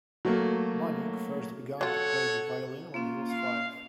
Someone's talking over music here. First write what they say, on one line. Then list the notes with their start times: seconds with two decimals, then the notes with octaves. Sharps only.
Manning first began to play the violin when he was five.
0.25 F#3 A3 A#3
1.81 F#3 F4 A4 C#5 F#5
2.94 A#3 C#4 F4
3.30 F5